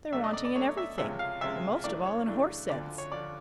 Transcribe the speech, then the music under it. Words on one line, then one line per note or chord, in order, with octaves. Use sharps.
They're wanting in everything, and most of all in horse-sense.
B2 F#3 A3 D4 E5
D#5
D5
D5
B2 F#3 A3 D4 C#5
E5
C#2 C3 F3 G#3 C#4 E5
F5
C#2 C3 F3 G#3 C#4 E5
F#2 C#3 E3 A3 D4 D5
C#5
F#2 C#3 E3 A3 D4
D2 D3 F3 D5
C#5
D3 F3 D5